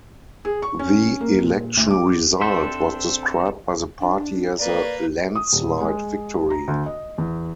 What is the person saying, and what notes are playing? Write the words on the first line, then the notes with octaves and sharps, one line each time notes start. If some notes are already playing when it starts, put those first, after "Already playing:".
The election result was described by the party as a landslide victory.
G#4
C#6
C#4
A#3
A#2
D2
D6
C4 D4 A4 C5 E5
D4
A#3 B4 D5
D#6
D#1
G#3
A#5
D2
D#5
E2